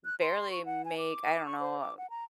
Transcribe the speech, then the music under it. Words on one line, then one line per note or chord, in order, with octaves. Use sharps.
barely make, I don't know,
F#6
C6
C#6
F#5
G#5
D6
C#6
C5
D6
F#5
A#5